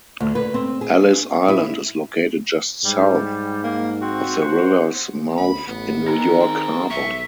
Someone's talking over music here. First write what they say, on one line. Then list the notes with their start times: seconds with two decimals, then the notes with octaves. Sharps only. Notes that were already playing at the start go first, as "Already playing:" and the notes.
Ellis Island is located just south of the river's mouth in New York Harbor.
0.20 D2
0.35 B4
0.54 C4
0.81 G#4
1.48 E4
2.84 G#2 G3
3.64 A#3
4.02 C4 F#4
4.41 C5 F#5
5.38 D2 B5
5.68 A1 B3
6.08 D#3 G#4 A#5
6.40 C4
6.90 B1 E5 C#6